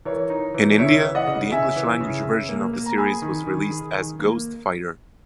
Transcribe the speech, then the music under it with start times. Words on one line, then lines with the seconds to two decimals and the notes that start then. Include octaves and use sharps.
In India the English-language version of the series was released as "Ghost Fighter".
0.05 E3 A#4 C#5
0.30 D#4
0.55 E3
0.79 C#3 C#5 E5
1.03 E3
1.15 D#5 F#5
1.27 C#3
1.51 C#3 E5 G#5
1.76 E3
2.01 C#3
2.25 C#3
2.49 A#3
2.73 A#3
2.86 A#5
2.98 G#4 G#5 B5
3.22 D#3
3.47 D#3
3.71 G#4
3.95 D#3
4.20 A#3